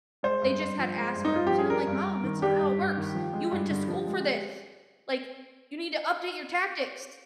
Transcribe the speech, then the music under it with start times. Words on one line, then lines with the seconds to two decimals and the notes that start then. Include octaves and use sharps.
They just had Asperger's," and I'm like, "Mom, that's not how it works. You went to school for this. Like, you need to update your tactics."
0.23 G#3 C5
0.42 G2
0.60 G2
0.79 F3
0.96 G#3
1.15 G2
1.25 D#4
1.33 G2 F4
1.47 F3 G4
1.58 G#4
1.70 G3 A#4
1.87 G2
2.06 G2
2.24 D#3
2.42 G3 G4
2.61 G2
2.79 G2
2.97 D#3
3.15 F3
3.33 G#3
3.51 G2
3.70 D3
3.88 F3
4.07 G#3